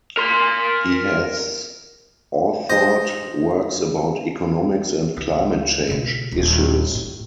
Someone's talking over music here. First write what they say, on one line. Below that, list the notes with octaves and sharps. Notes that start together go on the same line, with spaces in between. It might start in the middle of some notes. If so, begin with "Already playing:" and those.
He has authored works about economics and climate change issues.
A#4 C6
C5 D#5
C#2
B2 A3
D#1
A2